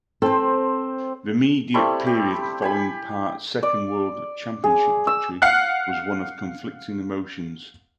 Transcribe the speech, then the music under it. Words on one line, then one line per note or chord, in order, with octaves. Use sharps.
The immediate period following Part's second world championship victory was one of conflicting emotions.
C4 A4 C5
G3 A3 C4 E4
G4
G4 G#5 B5
D5
G#4
E6
F5 F#5 F#6